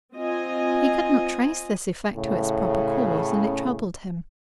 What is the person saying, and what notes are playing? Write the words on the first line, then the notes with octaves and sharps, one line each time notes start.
He could not trace this effect to its proper cause and it troubled him.
C4 F4 D#5 G#5
A2 C#3